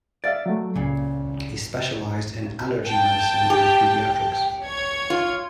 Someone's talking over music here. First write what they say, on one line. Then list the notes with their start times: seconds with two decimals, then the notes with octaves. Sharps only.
He specialized in allergy medicine and pediatrics.
0.24 D5 E5 F5 A6
0.46 F#3 A3
0.75 C#2 A#2 C#3
2.85 G5 A5
3.50 G4
4.62 C#5 G#6
5.10 F4